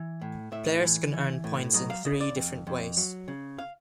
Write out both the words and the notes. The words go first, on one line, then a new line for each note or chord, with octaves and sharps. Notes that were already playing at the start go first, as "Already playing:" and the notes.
Players can earn points in three different ways.
Already playing: E3
A2
A2 E5
E3
E3
A2
F#3 D#5
F5
C#3 D#5
D5
F2
F2
F#3
C#3
F5